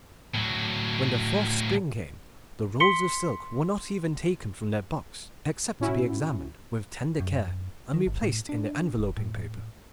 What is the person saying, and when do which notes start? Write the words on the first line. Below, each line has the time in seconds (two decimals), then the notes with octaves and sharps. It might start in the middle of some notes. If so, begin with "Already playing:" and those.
When the fourth spring came the rolls of silk were not even taken from their box except to be examined with tender care and replaced in the enveloping paper.
0.35 A2 F#3
2.80 C6 B6 C#7 G7
5.80 A2 C#4 E4 F#4
7.20 F#2
7.94 D#3
8.07 G#1
8.23 A2
8.49 D4
8.97 D1
9.17 A2